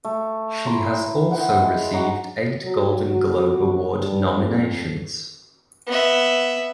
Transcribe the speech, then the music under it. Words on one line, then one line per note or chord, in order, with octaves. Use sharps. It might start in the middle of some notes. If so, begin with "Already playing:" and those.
She has also received eight Golden Globe Award nominations.
A3
E4 A#5 C6
F#5 G5
G#3
F#4 D#5 A#5
F#3
F#4
G2
F2
B3 E5